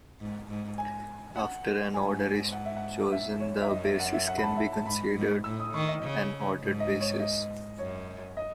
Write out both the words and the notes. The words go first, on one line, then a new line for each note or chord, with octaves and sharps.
After an order is chosen, the basis can be considered an ordered basis.
G#2
G#2
G#5
F#5
G#2 G#5
F#5
E5
F#5
E5
C#5
E5
F#2 D#5
E5
F#5
E5
F#5
B5
A5
E5
A5
G#2 B5
G#2
A2 E6
D#6
D#3 C#6
D#5
C#3
G#2
D#5
C#5
D#5
F#2 C#5
D#5